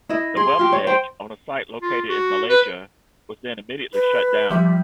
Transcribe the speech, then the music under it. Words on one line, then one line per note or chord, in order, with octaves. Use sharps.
The web page, on a site located in Malaysia, was then immediately shut down.
E4 D#5
G#4 C6
F4 G4
C#5
C5 G5
F4
F#4
B4
B4
F3 G3 E5